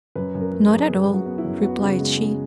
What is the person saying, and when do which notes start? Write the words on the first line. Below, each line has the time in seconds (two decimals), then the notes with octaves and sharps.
"Not at all," replied she.
0.16 F#2 B4
0.35 F#2
0.41 A#4
0.52 F#2
0.65 G#4
0.71 F#2
0.89 F#2 G#4
1.08 F#2
1.14 F#4
1.26 B3
1.38 E4
1.45 F#2
1.63 B3 F#4
1.81 C#3
2.00 G#3
2.17 G#3